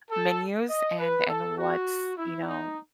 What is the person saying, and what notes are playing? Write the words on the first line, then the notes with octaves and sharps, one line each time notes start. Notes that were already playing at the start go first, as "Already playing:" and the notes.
menus, and and what's, you know
A4
D#5
B4
A4
F#4
E4
D#4